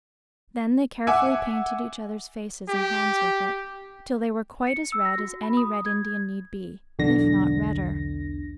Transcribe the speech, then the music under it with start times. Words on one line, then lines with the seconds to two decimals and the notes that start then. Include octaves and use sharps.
Then they carefully painted each other's faces and hands with it, till they were quite as red as any Red Indian need be - if not redder.
1.07 E5 F#5 G#5 D6 E6
2.68 G4
4.67 C#7
4.92 E6
5.05 A#6
5.18 F#4
5.43 B5
5.57 D#6
5.86 G#6
6.99 B1 E2 D3 A#6